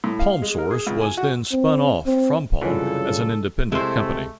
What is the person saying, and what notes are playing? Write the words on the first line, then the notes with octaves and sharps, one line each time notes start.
PalmSource was then spun off from Palm as an independent company.
A2
F5
G#3
A#4
G#4
C#2
G#5
F#4
C4
C4
C2 F#2 C#3 E3 F4 A4 C#5 G#5
C3 G#3 A3 E4 C5